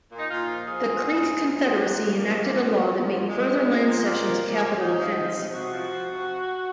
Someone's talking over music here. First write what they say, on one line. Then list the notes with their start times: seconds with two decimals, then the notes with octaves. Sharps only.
The Creek Confederacy enacted a law that made further land cessions a capital offense.
0.12 A#2
0.19 D#4
0.30 A#2 F4
0.49 F3
0.67 F3 G#4
0.86 A#2
1.05 A#2
1.23 F3
1.43 F3
1.61 A#2
1.79 A#2 F#4
1.98 F3
2.16 F3 A#3
2.30 G#3
2.35 A#2
2.44 A#3
2.54 A#2
2.74 F3
2.92 F3
3.11 A#2
3.29 A#2 G#3
3.48 F3
3.67 F3
3.85 A#2
4.03 A#2 A#3
4.23 F3
4.42 F3
4.60 A#2
4.78 C3 D#4
4.98 F3
5.17 F3
5.35 C3
5.54 C3 F#4
5.72 F3
5.91 F3
6.10 C3